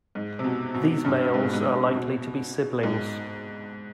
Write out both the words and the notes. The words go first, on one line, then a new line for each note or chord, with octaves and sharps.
These males are likely to be siblings.
G#2
C3
B2
B2
G2
G#2
B2
G#2
G#2
C3
B2
G#2